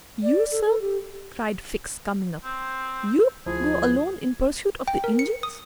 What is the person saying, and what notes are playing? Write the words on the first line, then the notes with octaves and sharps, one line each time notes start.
"You, sir!" cried Fix, coming up; "you go alone in pursuit of the Indians?"
D5
A4
A4
G4
C4
D2 F3 E4 G#4
G5
A#4
C#7
D#6